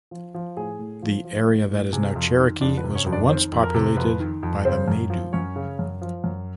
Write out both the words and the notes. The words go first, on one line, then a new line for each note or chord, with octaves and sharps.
The area that is now Cherokee was once populated by the Maidu.
F3
F3
A2 G#4 G#5
A2
F3
F3
A2
A2
C3 G#4 G#5
F2
D#3
F2 D4 D5
B4
C3
C#4 C#5
F2
D4 D5
D#3 C4 C5
F2
A#4
C3
F2 B4
D#3
F2
C#3 C4 C5
F#2
F3
F#2 C#4 C#5
C#3
F#2
F3
F#2